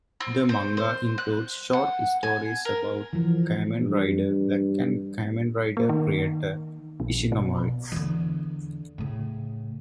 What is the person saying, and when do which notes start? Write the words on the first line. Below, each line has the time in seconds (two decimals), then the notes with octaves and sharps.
The manga includes short stories about Kamen Rider Black and Kamen Rider creator Ishinomori.
0.20 C4
0.49 C5
0.77 C5
1.18 F#6
1.73 F#5
2.23 G#5
2.65 A#4
3.13 E3 F3
3.80 G2
5.77 A#3
5.89 D#3
7.00 A#1
7.32 B2
7.92 E2 D3
8.98 A2 C#3